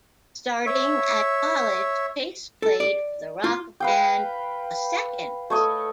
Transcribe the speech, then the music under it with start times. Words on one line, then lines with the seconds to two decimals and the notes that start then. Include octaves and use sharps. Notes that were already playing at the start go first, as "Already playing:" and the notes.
Starting at college, Chase played for the rock band The Seconds.
0.66 C#5 E5
2.62 A4
2.80 D5
3.44 F4
3.80 B4 F5 G5
5.50 A3 C#5 D#5